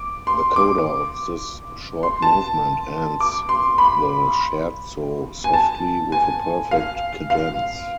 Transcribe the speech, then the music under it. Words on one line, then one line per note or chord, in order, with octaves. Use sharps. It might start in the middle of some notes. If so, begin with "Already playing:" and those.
The coda of this short movement ends the Scherzo softly with a perfect cadence.
Already playing: D6
C6
D6
C6
A5
D6
C6
B5
G#5
A5
G#5
F5
F5